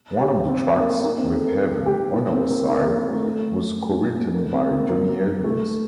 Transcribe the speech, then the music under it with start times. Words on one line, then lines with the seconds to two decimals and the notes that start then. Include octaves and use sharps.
One of the tracks, "With Heaven On Our Side", was co-written by Johnny Edwards.
0.21 G4
0.49 C4
0.77 A#3
1.04 A#3
1.17 C4
1.31 A4
1.46 A#4
1.59 A4
1.86 G4
2.13 E4
2.32 C4
2.50 A#3
2.68 A#3
2.83 A#3
2.96 C4
3.11 A3
3.25 A3
4.34 A#3
4.53 C4
4.71 A#3
4.89 A#3
5.44 A3